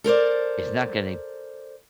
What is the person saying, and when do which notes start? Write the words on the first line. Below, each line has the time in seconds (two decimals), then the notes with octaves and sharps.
it's not gonna
0.04 A4 A#4 C5 D5